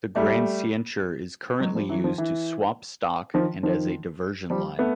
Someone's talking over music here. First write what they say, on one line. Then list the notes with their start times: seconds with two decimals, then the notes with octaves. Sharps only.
The Grande Ceinture is currently used to swap stock and as a diversion line.
0.16 G3 A3
1.60 F#3 G#3
1.75 F3 G3
1.89 E3 F#3
2.04 D#3 F3
2.18 E3
3.34 D#3 F3
3.63 D#3 F3
4.50 F3 G3
4.79 A3 B3